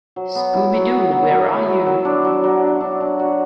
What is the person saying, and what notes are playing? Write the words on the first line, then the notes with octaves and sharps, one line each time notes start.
Scooby-Doo, Where Are You!
F#3
B3
E4
F#3
B3
F#3
F#3
E4
F#3
F#3
D4
F#3
F#3
D4
D4
D4
F#4